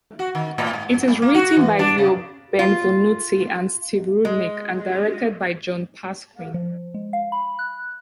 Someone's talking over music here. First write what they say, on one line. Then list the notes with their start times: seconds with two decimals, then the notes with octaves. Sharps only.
It is written by Leo Benvenuti and Steve Rudnick and directed by John Pasquin.
0.19 F#4
0.35 D#3
0.58 A2
0.73 G#2
1.08 G2
1.22 A#3
1.34 F#4
1.57 E3
1.79 D4
1.98 C#3
2.59 F4
4.25 G#3
6.54 F3
6.94 G#3
7.13 F5
7.32 B5
7.59 F#6